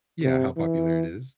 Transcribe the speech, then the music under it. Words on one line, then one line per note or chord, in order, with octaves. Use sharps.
Yeah, how popular it is.
C3
E3